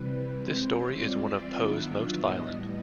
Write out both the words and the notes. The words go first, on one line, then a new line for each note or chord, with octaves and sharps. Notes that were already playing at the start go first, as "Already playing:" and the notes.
This story is one of Poe's most violent.
Already playing: C3 E3 G3 B4
E3 G#3 C4 C5
C#5
E3 G3 C4 F4 D5
E5
D#3 F#3 B3 D4 F4
E5
A2 E3 G3 B3 D#5